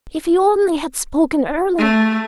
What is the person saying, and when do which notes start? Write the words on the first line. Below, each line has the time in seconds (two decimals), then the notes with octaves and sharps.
If he only had spoken earlier!
1.78 A3